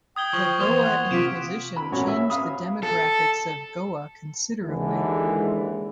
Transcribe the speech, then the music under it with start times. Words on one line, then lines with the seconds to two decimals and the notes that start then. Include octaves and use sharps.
The Goa Inquisition changed the demographics of Goa considerably.
0.16 G5 D#6 G#6 G7
0.33 F3 C#6
0.60 E2 A#3 C5 D#6 F7 G7
0.81 F#5
1.11 C3 F4 B6 D7 E7
1.76 B5
1.92 A1 A#2 F#4 C#5
2.08 E5
2.30 F5 B5 D#6
2.83 A4
4.65 D#2 D3 E3 G#3